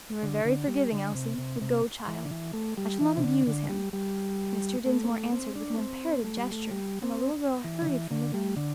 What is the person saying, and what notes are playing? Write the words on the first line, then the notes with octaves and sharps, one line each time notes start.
"You are very forgiving, Elsie; but go, child, I shall not abuse him," Mr. Dinsmore answered, with an imperative gesture, and the little girl hurried from the room.
D3
D3
G3
D3
C3
C3
C3
E3
D3
E3
A3
G3
E3
C3
D3
D3
G3
G3
A3
C4
A3
C4
D4
A3
C4
A3
G3
A3
G3
C4
E3
D3
E3
D3
G3
D3